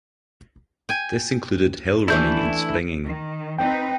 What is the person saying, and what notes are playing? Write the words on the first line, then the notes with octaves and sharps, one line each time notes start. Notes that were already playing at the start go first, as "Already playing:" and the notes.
This included hill running and springing.
G5 G#5
E3 A3 D4 E4 G6
D#3
C4 D#4 B4 G5